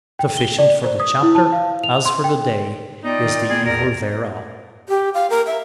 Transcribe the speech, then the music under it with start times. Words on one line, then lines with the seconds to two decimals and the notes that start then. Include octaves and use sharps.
Sufficient for the chapter, as for the day, is the evil thereof.
0.19 G5
0.37 G7
0.58 D5
0.84 C5
1.00 D#6
1.22 E4
1.35 A5
1.52 F5
1.84 F7
2.06 C6
2.24 G5
3.04 B3 D#4 F4 D5 G5
3.23 D#3
3.50 B3 G#4
3.66 E2 A#4
4.89 G4
5.14 F5
5.30 A#4
5.47 E5